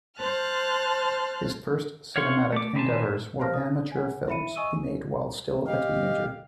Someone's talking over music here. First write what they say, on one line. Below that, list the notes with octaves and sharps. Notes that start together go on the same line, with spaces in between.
His first cinematic endeavors were amateur films he made while still a teenager.
C5 A5 F6 F#6
C#5 F5 F#5 C6 C#6
A3 D6
D#3 B4 C5 G#5 A5
G4 C5 F5 A5 F6 A#6
D#6
F#5 G#5
E4 E5 B5 C#7 D#7
D#5 G#5 C#6 D#6 E6 D#7
G4 D#5 F5